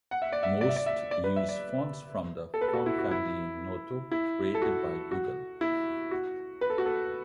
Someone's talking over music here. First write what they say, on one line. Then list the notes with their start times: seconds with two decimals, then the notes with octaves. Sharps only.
Most use fonts from the font family Noto, created by Google.
0.11 F#5
0.22 E5
0.32 D5
0.43 E5
0.61 D5
0.69 E5
0.76 D5
0.86 E5
1.11 D5
1.24 B4
1.36 E5
1.49 D5
2.54 A4
2.61 B4
2.68 A4
2.73 F#4
2.86 E4
2.99 F#4
3.11 E4
4.11 E4
4.55 A4
4.62 F#4
5.11 F#4
5.61 E4
6.11 F#4
6.61 B4
6.70 A4
6.78 F#4
6.86 A4